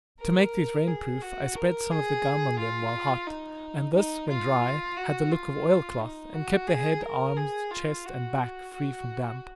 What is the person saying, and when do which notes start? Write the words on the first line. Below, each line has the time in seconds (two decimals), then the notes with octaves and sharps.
To make these rain proof, I spread some of the gum on them while hot, and this, when dry, had the look of oil cloth, and kept the head, arms, chest, and back free from damp.
0.19 A#4
0.87 G#4
1.22 F#4
1.56 A#4
1.91 G#4
2.59 F4
3.27 D#4
3.95 D#4
4.29 F4
4.97 F#4
5.32 F4
6.00 D#4
6.34 F#4
6.68 G#4
7.03 A#4
7.37 G#4
7.71 F4
8.05 F#4
8.73 F#4